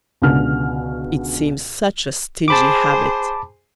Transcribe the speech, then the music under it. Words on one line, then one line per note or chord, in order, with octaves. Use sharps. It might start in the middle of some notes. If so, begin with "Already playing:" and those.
It seems such a stingy habit.
C#2 B2 D3 F6
G#4 C5 A5 B5 D6